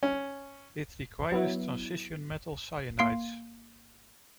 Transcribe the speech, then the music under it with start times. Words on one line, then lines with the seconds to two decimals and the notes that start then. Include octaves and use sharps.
It requires transition metal cyanides.
0.03 C#4
1.32 F#3 B3 E4
2.99 A#3 F5 C6 C7 D7